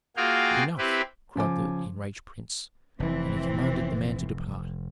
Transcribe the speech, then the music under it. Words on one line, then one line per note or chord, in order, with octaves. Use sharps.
"Enough!" cried the enraged prince; and he commanded the man to depart.
A#3 F4 F#4 G#4 F5 G5
C4 E4 G4 B4
C#3 F3 G#5 D6
F1 E3 C4